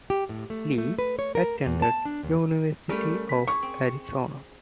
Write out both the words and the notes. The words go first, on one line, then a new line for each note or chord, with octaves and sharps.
Lee attended University of Arizona.
G4
A2
A3
A3
B4
C#5
A#4
E2
A5
D4
D#2
G3 A3 C#4 A#4 B4
B6
G#4 C#6
C4